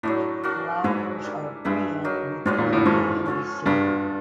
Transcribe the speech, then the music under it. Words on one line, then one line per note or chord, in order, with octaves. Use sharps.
Flowers are preent between May and December.
A2 F#3 A3 D4
A#3 D4 F#4
G#2 E4 G#4 B4
G3 A#3 D4
G2 E4 G#4 B4 E5
F#3 A#3 D#4
G#2 F#3 B3 D4 F4
A#2
A2
G#2 F3 A3 C#4 F4
C#4 F4 A4 C#5
G2 G3 B3 D4 F4